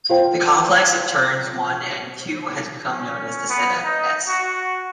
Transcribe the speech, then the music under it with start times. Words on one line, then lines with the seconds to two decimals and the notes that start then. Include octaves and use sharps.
The complex of turns one and two has become known as the Senna 'S'.
0.09 F4 C5 G5
2.91 C#4
3.50 B3
3.84 D#4
4.28 F#4